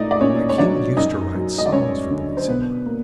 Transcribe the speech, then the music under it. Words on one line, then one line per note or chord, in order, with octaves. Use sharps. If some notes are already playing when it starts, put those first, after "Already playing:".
And the King used to write songs for Bellissima.
Already playing: A#2 A3 D#4 D5 D#5
D5
A#2 C#4 C#5
C#5
F#3 D4 D5
F#2 D#4 D#5
F#3
D#5
D5
F#2 C#4 C#5
D3
C5
B2 B3 B4
A#3